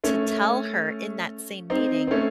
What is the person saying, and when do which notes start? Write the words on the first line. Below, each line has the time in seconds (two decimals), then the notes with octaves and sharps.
to tell her in that same meeting,
0.04 A3 C#4
1.70 C4 D#4
2.07 C4
2.11 A3 C#4